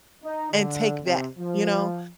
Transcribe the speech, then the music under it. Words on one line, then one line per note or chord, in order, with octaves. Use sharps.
And take that, you know,
D#4
D3
C3
F3